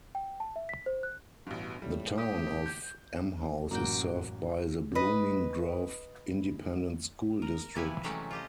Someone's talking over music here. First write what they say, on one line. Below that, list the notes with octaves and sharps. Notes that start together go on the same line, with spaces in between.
The Town of Emhouse is served by the Blooming Grove Independent School District.
G5
A5
E5
B6
C5
F#6
A1 G2 B2
A2 G3
G4 D#6
G6
A1 F#2 A#3 F#4 G5
B4 D#5
A#4
C3 E3 F3 E4 B4 G#5
C3 E3 F#3 G#3 A3 C#4
F4 G4 D#5